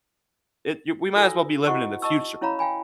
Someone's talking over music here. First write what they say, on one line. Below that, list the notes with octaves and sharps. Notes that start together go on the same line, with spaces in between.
it you We might as well be living in the future
E4 F#4 A4 E5 G#5 E6
E4 F#4 C5 D#5 F#5 C#6
D#5 A5 C#6 E6
C#4 E4 C#5 F5 A#5 B5
F5 G5 G#5 B5